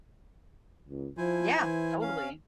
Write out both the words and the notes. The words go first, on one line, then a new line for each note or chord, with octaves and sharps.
Yeah, totally.
C#2
F3 E4 C5 G#5
E3
C#4 F5